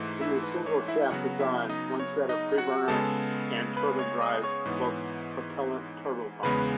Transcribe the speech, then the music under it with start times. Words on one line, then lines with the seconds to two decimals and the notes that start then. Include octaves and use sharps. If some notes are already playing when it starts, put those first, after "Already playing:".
In the single-shaft design, one set of preburner and turbine drives both propellant turbopumps.
Already playing: G#2 E3 A3
0.21 E4 E5
0.43 B4
0.66 C#5
0.88 E4 E5
1.10 C#3 F#3 B3 F#4 F#5
1.40 E4 E5
1.69 D#4 D#5
2.00 C#5
2.29 D#4 D#5
2.58 F#4 F#5
2.88 C#3 G#3 B3 A4 A5
3.77 B4 B5
3.99 C#5 C#6
4.21 D#5 D#6
4.44 C#5 C#6
4.66 G#2 E3 B3
6.43 E2 C#3 G#3 B3 B4 B5